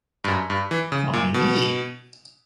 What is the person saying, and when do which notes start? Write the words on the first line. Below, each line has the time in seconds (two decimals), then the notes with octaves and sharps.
My knee.
0.24 G2
0.28 F#2
0.50 G2
0.71 E3
0.92 C#3
1.13 A#2
1.34 B2